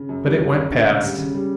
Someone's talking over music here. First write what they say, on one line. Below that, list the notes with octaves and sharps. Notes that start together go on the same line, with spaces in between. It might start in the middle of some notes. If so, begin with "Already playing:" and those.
But it went past.
Already playing: C#3
F#2
G3
F#2
C#3
D2
C#3
G3
C#3
G3